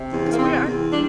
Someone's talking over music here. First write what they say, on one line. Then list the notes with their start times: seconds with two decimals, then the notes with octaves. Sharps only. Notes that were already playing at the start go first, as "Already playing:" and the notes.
'Cause we aren't
Already playing: C3
0.13 E2
0.32 A#3
0.39 C3 C4
0.66 E2
0.93 G3 D4